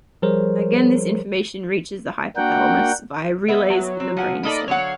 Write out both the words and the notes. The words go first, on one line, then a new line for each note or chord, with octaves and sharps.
Again this information reaches the hypothalamus via relays in the brainstem.
F3 G3 G#4 A#4 C5 C#5
A#3 D4 F#4 A#4 F#5 G5
B3 E5
F#3
C4
F3 F#5 G#5
A#3 D#4 A4 D5 D#5 B5
D3 F#3 C#5 F5 F#5